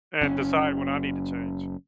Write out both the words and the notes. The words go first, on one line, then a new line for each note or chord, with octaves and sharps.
and decide when I need to change.
F#1 C#4